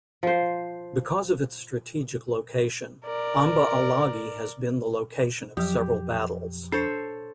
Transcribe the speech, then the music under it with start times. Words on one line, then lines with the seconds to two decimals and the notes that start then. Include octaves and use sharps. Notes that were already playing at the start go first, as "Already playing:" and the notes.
Because of its strategic location, Amba Alagi has been the location of several battles.
0.23 F3 C5
3.06 A#4 D5
5.57 F2 F3 F#3 G4
6.72 D4 A4 C5 C#5